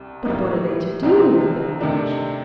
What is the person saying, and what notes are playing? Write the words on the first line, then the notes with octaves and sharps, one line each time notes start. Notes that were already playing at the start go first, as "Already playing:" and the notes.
But what are they to do with their leisure?
Already playing: C2 C3 G3
A2 G3 A#3 D#4
C2 C3 F3 C4 D#4
C3 D#3 A3 D4